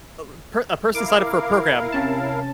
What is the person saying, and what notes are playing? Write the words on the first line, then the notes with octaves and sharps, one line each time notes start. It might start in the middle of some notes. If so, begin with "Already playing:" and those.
a per a person signed up for a program
E4 A#4 F5 D6
C3 C#4 A5